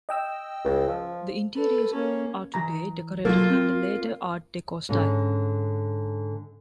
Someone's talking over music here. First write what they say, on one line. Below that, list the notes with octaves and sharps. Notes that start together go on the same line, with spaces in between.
The interiors are today decorated in the later Art Deco style.
D#5 G5 E6
C#2
F3
A4 B4
A#3 C#4
E3 A#5
F#3 A#3 F4 A4
C4
G#2 D3 C#4